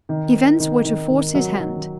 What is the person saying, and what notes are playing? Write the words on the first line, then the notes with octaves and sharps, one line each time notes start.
Events were to force his hand.
D#3
C4
D#3
D#3
D#3
F#3
D#3